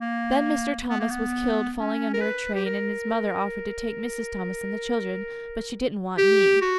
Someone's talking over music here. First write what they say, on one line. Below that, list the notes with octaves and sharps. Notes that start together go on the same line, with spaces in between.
Then Mr. Thomas was killed falling under a train and his mother offered to take Mrs. Thomas and the children, but she didn't want me.
A#3
B3
A#3
B3
C#4
A#4
B4
G4
A#4
G4
F#4